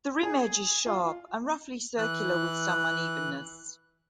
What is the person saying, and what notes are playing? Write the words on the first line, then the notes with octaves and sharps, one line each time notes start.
The rim edge is sharp and roughly circular, with some unevenness.
G#4
F4
E3 F#6